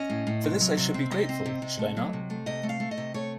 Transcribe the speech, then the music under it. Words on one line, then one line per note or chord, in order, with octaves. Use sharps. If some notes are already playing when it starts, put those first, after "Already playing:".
For this I should be grateful, should I not?
Already playing: C#4 D#5
A2
A2
C3
F#3
C3
C4
C3 D#5
C4
C3
C3
A3
F#3
C3
A3
C3 D#5
A3
F5
A3
D#5
C3
A3 C#5